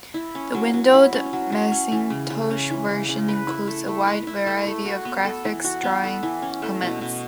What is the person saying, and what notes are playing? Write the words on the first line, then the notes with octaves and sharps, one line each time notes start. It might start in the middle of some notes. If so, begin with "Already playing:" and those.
The "windowed" Macintosh version includes a wide variety of graphics drawing commands.
E4
C#4
F#3
F#3
E4
C#4
F#3
F#3
C#4
E3
C#3
C#3
C#4
E3
C#3
C#3
B4
E4
A3
A3
B4
E4
A3
A3
F#4
B3
A4
E3
F#4
B3
A4
E3
C#4
A3
B2
B2